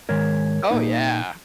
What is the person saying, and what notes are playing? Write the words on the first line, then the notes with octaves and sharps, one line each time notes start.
Oh, yeah.
G#2 D#3 G#3 A#4 C#5
A#2 A#3 D#4